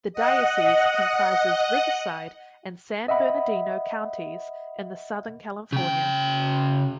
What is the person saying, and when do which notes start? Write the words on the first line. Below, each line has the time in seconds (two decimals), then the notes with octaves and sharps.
The diocese comprises Riverside and San Bernardino Counties in the Southern California.
0.13 D#5 F#5
3.08 D#5 E5 F#5 B5
5.72 C#3 G5